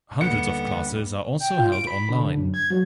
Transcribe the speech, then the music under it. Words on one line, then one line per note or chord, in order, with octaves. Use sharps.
Hundreds of classes are also held online.
D#2 D3 G3 B3 C#7
G5
F4
D7
B5
D3
F#2
G#6
F#3